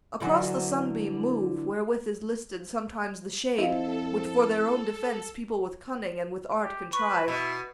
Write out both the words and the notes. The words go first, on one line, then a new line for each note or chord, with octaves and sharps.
Across the sunbeam move, wherewith is listed Sometimes the shade, which for their own defence People with cunning and with art contrive.
D3 E3 F#3
F2 C4 E4 A4 D#5 F5
G4
B4 C#6
B2 E4